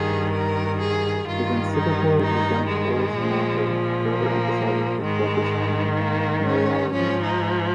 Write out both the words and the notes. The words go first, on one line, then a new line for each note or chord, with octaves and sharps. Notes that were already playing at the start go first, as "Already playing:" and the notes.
His encyclical "Redemptoris Mater" further emphasizes his focus on Mariology.
Already playing: G2 D#3 G#4
A#4
G#4
G2 D#3 F4
D#4
D#4
G#3
A#2 F3
A#3
G#2 D#3 G#3
A#3
C#4
G#2 F3 C#4
D#4